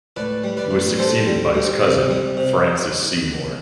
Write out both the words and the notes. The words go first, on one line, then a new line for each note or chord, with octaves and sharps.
He was succeeded by his cousin, Francis Seymour.
A2 B4 D5
G3
B4 D5
A2
G3 A4 C5
G3
G3
C3
G3
C3